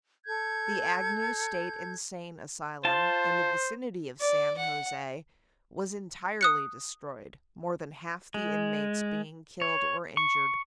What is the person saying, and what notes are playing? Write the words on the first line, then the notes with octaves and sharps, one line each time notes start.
The Agnew State Insane Asylum, in the vicinity of San Jose, was entirely destroyed, more than half the inmates being killed or injured.
A4 G6 G#6
F4 C5 A5
D5
F#5
D#6 F#6 C#7
G#3
C#5
C#6